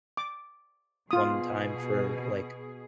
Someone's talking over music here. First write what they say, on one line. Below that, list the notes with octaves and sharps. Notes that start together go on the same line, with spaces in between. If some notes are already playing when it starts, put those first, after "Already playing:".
one time for, like,
D6
B2 F4 G#4 D#6